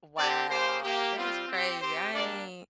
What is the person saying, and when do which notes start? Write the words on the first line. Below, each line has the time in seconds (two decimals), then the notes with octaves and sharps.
Wow. That's crazy. I ain't
0.17 C4 G4 D5
0.49 A#3 G4 C5
0.83 A#3 G4
1.16 G3 C4 F4
1.48 C4 G4
1.81 C4 G4 C5
2.13 G3 A#3 D4 D5